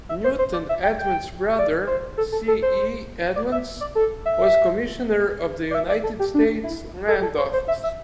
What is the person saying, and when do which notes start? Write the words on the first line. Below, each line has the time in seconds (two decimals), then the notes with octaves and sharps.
Newton Edmunds' brother, C. E. Edmunds, was Commissioner of the United States Land Office.
0.09 E5
0.24 C5
0.39 C5
0.53 D5
0.69 E5
0.83 G5
0.98 G5
1.58 D5
1.87 C5
2.18 A4
2.32 A4
2.48 A4
2.62 C5
3.36 D5
3.52 E5
3.81 D5
3.95 A4
4.26 E5
5.71 D5
5.75 E5
5.89 D5
6.04 A4
6.19 G4
6.34 D4
6.63 E4
7.08 A4
7.19 G4
7.23 A4
7.38 C5
7.53 C5
7.68 E5
7.83 E5